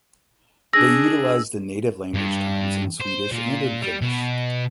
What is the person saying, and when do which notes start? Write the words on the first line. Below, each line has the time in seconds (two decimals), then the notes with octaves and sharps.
They utilize the native language terms in Swedish and in Finnish.
0.73 D4 G#4 E6 A#6
2.14 G2
3.01 C5
3.32 A#2
3.82 G3
4.02 B2